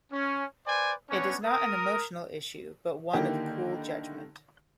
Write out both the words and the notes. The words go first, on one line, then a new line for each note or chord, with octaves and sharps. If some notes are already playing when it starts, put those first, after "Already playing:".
It is not an emotional issue but one of cool judgment.
C#4
B4 C5 D5 G#5
B3 C#4 D4 C#5
A#4 D#6
D3 D#3 A#3 D#4 E4 G4